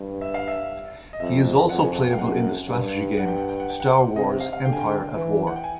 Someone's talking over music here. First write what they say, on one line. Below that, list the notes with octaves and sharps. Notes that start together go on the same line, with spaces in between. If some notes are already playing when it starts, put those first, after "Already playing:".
He is also playable in the strategy game "Star Wars: Empire at War".
Already playing: G2
E5
F5
E5
D#5
F2 E5
F2 F#5
G#5
A5
G5
F5
F#2 F#5
G2
F#5
G5
F#5
G5
F#5
G5
F#5
C3 D#5
F5
F5
D3 G5
G#5
G5
E3
F#5
G5
G#5